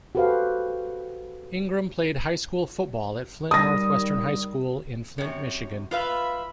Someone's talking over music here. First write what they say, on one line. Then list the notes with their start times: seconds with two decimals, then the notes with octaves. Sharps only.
Ingram played high school football at Flint Northwestern High School in Flint, Michigan.
0.15 F#4 G4 A4 B4 C5 F5
3.51 D#3 G3 D#6 A#6
5.18 F#2 C3 C#5
5.91 F4 B4 E5 F5 B5